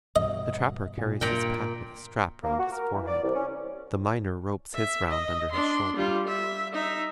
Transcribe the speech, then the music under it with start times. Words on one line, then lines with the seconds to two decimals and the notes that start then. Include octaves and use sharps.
The trapper carries his pack with a strap round his forehead. The miner ropes his round under his shoulders.
0.16 G2 B2 D#5
0.97 A#2
1.21 G2 A#2 A#3 A#4 G5
2.43 A#3
2.58 F#4
2.71 A#4
2.93 E3
3.07 D5
3.23 C2
3.34 C#4
4.74 E5
5.10 D#5
5.51 D4 C6
5.96 G3 F4
6.27 E5
6.72 D#4 E5